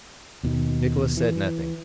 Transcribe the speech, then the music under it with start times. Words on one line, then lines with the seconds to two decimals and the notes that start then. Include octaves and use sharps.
Nicholas said nothing.
0.43 D#2 B2 D#3
1.17 E3